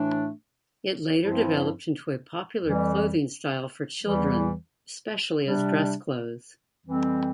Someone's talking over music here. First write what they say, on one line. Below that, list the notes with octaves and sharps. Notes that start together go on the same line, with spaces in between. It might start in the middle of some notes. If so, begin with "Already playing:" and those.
It later developed into a popular clothing style for children, especially as dress clothes.
Already playing: A2 E3 A3 D4
G2 F3 C4 E4
F2 E3 G3
E2 E3 G3
C3 G3 D4
F2 E3 G3 C4